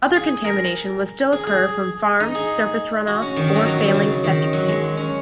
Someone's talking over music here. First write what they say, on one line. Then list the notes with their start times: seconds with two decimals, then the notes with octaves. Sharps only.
Other contamination would still occur from farms, surface runoff, or failing septic tanks.
0.16 G#4
0.44 A#4
1.33 G#4
1.47 G#4
2.20 D#4
2.35 G#4
3.07 F#4
3.22 C#4
3.36 D#3
3.47 D#3
3.56 F#3
3.66 F#3
3.76 F#3
3.85 D#3
3.94 C#3
4.24 D#3
4.53 F#3
4.68 G#3
4.97 C#4